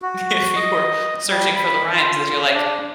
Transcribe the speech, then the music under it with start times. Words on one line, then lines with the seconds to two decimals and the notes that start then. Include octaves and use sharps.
if you were searching for the rhymes as you're like,
0.02 F#4
0.56 D#5
1.28 G3
1.55 B5
1.94 F4
2.54 D4